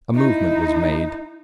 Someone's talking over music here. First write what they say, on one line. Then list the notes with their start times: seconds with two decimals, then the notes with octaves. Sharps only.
A movement was made.
0.13 D#4 E4